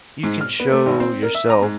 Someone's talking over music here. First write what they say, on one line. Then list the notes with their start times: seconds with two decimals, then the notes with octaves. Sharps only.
you can show yourself,
0.23 G#2
0.41 F6
0.60 B3
0.72 A3
0.86 G#1
1.00 C4
1.23 A#4
1.35 E5
1.50 A#5
1.62 G#2